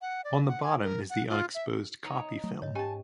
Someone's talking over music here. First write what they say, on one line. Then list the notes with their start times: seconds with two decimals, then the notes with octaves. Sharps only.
On the bottom is the unexposed copy film.
0.01 F#5
0.24 D5
0.47 F#5
0.63 G#5
0.83 A#4
1.10 F#5
1.29 F4
1.54 E5
2.04 D#4 C#5 D#5
2.44 F#3 A3
2.62 G#2 C#5 D#5
2.75 C#4 G4 D#5 G#5 A5